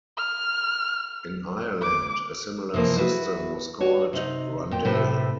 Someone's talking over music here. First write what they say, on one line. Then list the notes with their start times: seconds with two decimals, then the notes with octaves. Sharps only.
In Ireland, a similar system was called rundale.
0.17 F6
1.82 D6
2.74 C3 E3 F3 A#3
2.97 E4 F#4 G#4 B4
3.80 F#4 C#5 D5
4.13 C3 D#4
4.71 A#2 G5
4.85 A2 C3 A4 B4